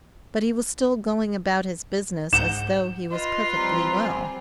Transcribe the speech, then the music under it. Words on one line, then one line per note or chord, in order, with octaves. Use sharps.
But he was still going about his business as though he was perfectly well.
G#2 F#5 G6 E7
F4 B4 D#5 C6
F3 G3 C4 A#5
G#5